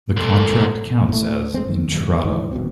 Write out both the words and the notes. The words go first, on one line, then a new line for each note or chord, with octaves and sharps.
The contract counts as "Entrada".
C2 A#2 A4
A2 A3
G#3 C4
F#2 D#3
D2 G#2 E3 F3
D1 D#2 B2 C4